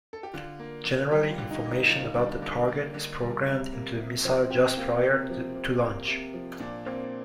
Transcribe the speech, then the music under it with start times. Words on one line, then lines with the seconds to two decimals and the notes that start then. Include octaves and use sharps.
Generally, information about the target is programmed into the missile just prior to launch.
0.13 A4
0.23 G4
0.33 D3 F4
0.59 A#3
0.85 D3
1.11 G3 G4
1.31 F4
1.38 D3
1.51 D#4
1.64 A#3
1.71 D#4
1.89 D3 F4
2.16 G3 D4
2.42 D3 A#3
2.68 A#3
2.94 D3
3.21 G3
3.47 C3
3.73 A#3
3.99 C3
4.24 F3 C4
4.51 C3 G4
4.77 A#3 F4
5.03 C3
5.29 F3
5.55 C3
5.81 A#3
6.08 C3
6.34 F3
6.59 A#2 D4
6.86 A#3 C4